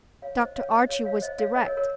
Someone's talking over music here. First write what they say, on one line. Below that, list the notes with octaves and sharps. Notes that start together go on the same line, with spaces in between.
Dr. Archie was direct.
C#5 F5
C5 D#5
C#5 F5
C5 D#5
C#5 F5
C#5 F5
C5 D#5
C#5 F5
C5 D#5
A#4 C#5
A#4 C#5